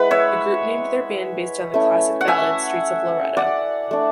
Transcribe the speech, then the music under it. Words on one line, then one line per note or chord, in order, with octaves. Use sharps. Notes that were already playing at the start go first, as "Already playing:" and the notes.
The group named their band based on the classic ballad Streets of Laredo.
Already playing: G#3 E4 B4 F#5
C#5 E5
A3 C#4 E4
F#5
E5 G#5
D5 F#5
A3 D4